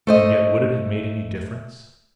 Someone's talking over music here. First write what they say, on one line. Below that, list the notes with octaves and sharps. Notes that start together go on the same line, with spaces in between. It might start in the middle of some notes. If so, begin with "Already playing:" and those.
And yet would it have made any difference?
A3 C5 D#5